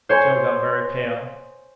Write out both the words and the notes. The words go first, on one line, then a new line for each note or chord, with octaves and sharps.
Joe got very pale.
C5 C#5 G#5 C6